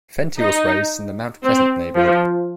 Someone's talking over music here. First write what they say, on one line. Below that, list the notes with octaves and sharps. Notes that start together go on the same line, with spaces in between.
Fenty was raised in the Mount Pleasant neighborhood.
D#4
C4
F3